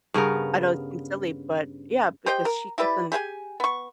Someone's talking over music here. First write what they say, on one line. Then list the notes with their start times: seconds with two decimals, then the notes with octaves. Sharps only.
I know it seems silly, but yeah, because she kept on
0.14 G2 C#3 B3 A#4
2.26 G4 C5 D#5 G5
2.45 A#4
2.78 E4 G4 B4 D5
3.12 G4 G#4 F#5 G#5
3.60 B3 C#6